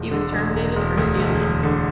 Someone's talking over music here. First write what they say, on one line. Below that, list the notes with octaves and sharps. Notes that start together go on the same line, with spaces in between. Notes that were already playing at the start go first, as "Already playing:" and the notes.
He was terminated for stealing.
Already playing: E1
D3
E1
E1
E1
D2
E1
E1
D3